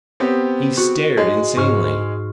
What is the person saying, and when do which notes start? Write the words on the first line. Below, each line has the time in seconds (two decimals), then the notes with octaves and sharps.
He stared insanely.
0.20 B3 C4 G4
0.77 F#4
1.17 G#3
1.56 G#2 C#6 F6